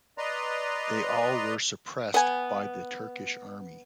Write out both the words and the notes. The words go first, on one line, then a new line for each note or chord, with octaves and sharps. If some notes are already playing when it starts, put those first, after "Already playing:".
They all were suppressed by the Turkish Army.
B4 D5 D#5 A#5 C6
B3 G#5